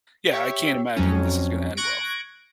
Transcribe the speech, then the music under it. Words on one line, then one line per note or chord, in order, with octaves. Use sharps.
yeah, I can't imagine this is gonna end well.
G4 C#5 E5
F2 F#3 C#4
C#6 F#6 G#6 A#6 D7